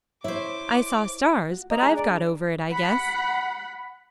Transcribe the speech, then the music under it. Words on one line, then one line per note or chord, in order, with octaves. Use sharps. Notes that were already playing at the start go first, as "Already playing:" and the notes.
I saw stars, but I've got over it, I guess.
E4 C5 C#5 E5 D6
F#4
D#5 A#5
D4 G#4
D5
F#5 B5